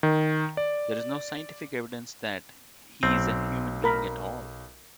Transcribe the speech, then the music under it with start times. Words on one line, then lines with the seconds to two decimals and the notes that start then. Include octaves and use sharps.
There is no scientific evidence that he is a human being at all.
0.03 D#3
0.57 D5
3.03 B1 C4
3.84 A#4 B5